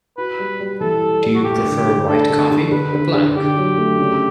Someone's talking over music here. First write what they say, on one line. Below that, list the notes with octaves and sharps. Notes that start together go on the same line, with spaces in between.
Do you prefer white coffee, or black?
F#4 B4
G3
G3
E3 A4
G3
G3
F#4
A3 G4
D3
G4
D3
D4 A4
D3
D3
D3 B4
D3
D3
D3 G4
F#3
A3
C#3